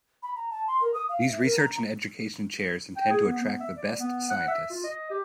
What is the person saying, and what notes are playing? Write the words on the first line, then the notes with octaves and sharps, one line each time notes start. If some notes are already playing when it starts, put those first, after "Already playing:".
These Research and Education Chairs intend to attract the best scientists.
B5
A#5
A5
C6
A#4
D#6
F5
E5
A#4
A#5
G5
G#4
B3
B3
E5
D5
B3
F#5
E5
F4
D#5
G4